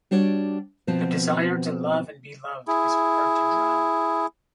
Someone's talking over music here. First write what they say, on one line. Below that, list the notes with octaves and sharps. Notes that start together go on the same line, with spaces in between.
The desire to love and be loved is hard to drown.
G3 D4 F#4 C#5 D5
B2 F3 C4 F#4 A5
E4 G#4